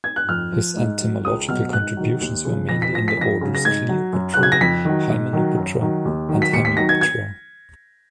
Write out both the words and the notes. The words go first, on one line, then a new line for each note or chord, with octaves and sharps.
His entomological contributions were mainly in the orders Coleoptera, Hymenoptera and Hemiptera.
G#6
F#6
F2 F6
F3
G#2
F#3
C#2 D#6
B2 F#3 F6
G#2 F#6
D#3 F#3
D#2
C#3 F3
F2 A#6
B6
F3 A#6
B6
F2 A#6
C#3 F#3
A#6
G#2 G#6
F#3
F#2
C#3 F#3 F#6
G#6
A#6
F2 B6
D#3 F#3
G#2
D#3 F#3
F#2
D#3 F#3
D#2
D#3 F#3
B6
D#2 C#7
B6
D#3 F#3 A#6
G#6
G#6